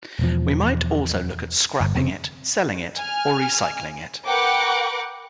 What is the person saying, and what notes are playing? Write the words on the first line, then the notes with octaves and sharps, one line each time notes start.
We might also look at scrapping it, selling it or recycling it.
E1 E2 F3
G1
F1 C#3 C4
G#5 F6
A#4 B4 F#5 G5 D6